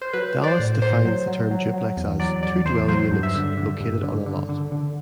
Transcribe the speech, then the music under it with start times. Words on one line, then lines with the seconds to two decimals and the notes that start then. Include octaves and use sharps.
Dallas defines the term duplex as "two dwelling units located on a lot".
0.01 C5
0.13 F#3 B4
0.36 F#3
0.44 D5
0.47 C5
0.59 A2
0.82 A2 C5
1.05 F#3
1.28 F#3
1.51 F#3
1.74 F#3
1.97 E2
2.20 F#3 D5
2.43 E2 D5
2.65 E2 C5
2.88 F#3 C5
3.11 G2
3.23 E5
3.35 D3
3.57 D3
3.80 G2
4.03 D3
4.26 D3
4.49 D3
4.72 D3